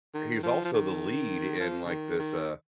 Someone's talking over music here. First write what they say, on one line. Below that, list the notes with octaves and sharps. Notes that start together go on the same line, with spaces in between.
he's also the lead in, like, this, uh,
D#3
F3
F3
D#3
F3
C#3
D#3
D#3